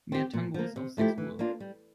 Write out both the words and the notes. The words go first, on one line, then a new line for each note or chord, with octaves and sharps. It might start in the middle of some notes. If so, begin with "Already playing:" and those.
Mehr Tangos auf sechs Uhr.
C4 G4
A#2
F3 A#3
C3
F3 A3 E4 G4
E3
A#3 D4 F4
G3